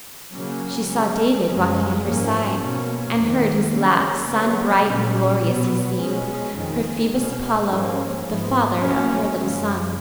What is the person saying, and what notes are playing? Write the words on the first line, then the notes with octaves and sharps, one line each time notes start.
She saw David walking at her side, and heard his laugh, sun-bright and glorious he seemed, her Phoebus Apollo--the father of her little son.
C#3 F#3 A#3 C#4
C#3 G#3 C#4
F#2 F3 G#3 C#4
G#2 F3 A#3 C#4
B2 A#3 C#4
F2 D#3 A#3
C#3 F#3 A#3 C#4
C#3 F#3 B3
A#2 F#3 C#4
B2 F#3 B3
B2 G#3 C#4
F2 D#3 G#3
B2 A#3 C#4
G#2 F3 A#3 C#4
G#2 F3 B3
B2 F#3 A#3 C#4
F#2 C#3 F3 G#3 C#4